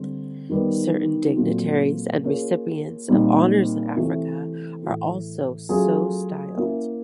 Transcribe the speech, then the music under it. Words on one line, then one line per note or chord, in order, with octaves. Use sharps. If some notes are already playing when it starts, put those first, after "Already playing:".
Certain dignitaries and recipients of honours in Africa are also so styled.
Already playing: D3 G3 C4
D#3 G3 B3
A#2 F#3 A3 C4 F4
A#3 C#4 F4 G#4 C#5
A#2 G3 C4 D#4
C3 E3 A3 C4
A2 E3 A3
F#3 A3 C#4 F4 G#4
A#3 C#4 E4